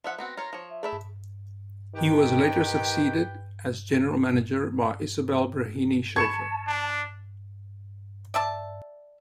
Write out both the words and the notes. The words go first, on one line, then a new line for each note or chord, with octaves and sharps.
He was later succeeded as General Manager by Isobel Breheny Schafer.
F3 E5 F#5
B3 C4 F#4 A#6
F4 A#4 C#5
F3 C#5
E5
A3 E4 G#4 E5
D#3 G4 B4 G5
A5 B5 C#6 G#6 C#7 E7
D4
D5 E5 A5